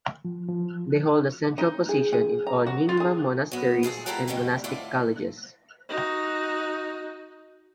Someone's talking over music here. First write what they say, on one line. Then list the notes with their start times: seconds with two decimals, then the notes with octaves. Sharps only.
They hold a central position in all Nyingma monasteries and monastic colleges.
0.25 F3
0.49 F3
1.58 D#4
1.89 G#4
2.13 G#4
2.47 A#5
2.67 F#4
2.89 F4
3.00 G#4
3.52 F#3 B3
3.83 A#2 C#3 G#4 A4
4.06 G3 E4 F4 A4 A#4 F#5
4.28 F2 B2 D3 D#3 G3
4.64 A2 D3 E4 F4 D5
5.89 D#4 F#4